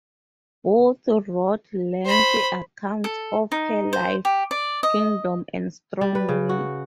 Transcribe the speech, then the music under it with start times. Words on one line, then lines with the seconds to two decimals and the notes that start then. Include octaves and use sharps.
Both wrote lengthy accounts of her life, kingdom, and strong will.
2.05 C5 B5
3.04 A4
3.52 D#4
3.93 C5
4.25 G4
4.51 D5
4.83 D#5
6.01 G3
6.15 B4
6.29 C#3
6.49 F#4